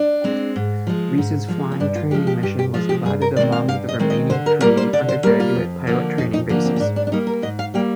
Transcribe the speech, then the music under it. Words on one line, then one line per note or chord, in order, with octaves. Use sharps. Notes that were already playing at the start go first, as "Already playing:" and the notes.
Reese's flying training mission was divided among the remaining three undergraduate pilot training bases.
Already playing: D4
G#3 C4
G#2
F3 G#3
G#2
F3 G#3
C4
G2 D4
F4
F3 G#3 G4
G4
G2 G4
G4
F3 G#3 F4
G4
G2 G#4
A#4
D#3 G#3 C4 D5
F5
G2 F5
D#5
D#3 G#3 C4
D#5
D3 C5
A#4
G3 A#3 A#4
C5
D3 D5
C5
G3 A#3 A#4
F4
F2
D3 F3 A#3
F2 D#4
D#4
D3 F3 A#3
C4
C4
G#2 D4
D4
D4
G3 A#3 D#4
A#4
G#2 D#5
F5
G3 A#3 G5